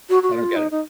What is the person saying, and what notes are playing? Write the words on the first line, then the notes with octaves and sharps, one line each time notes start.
I don't get it.
F#4
F#4
F4
D#4
D#4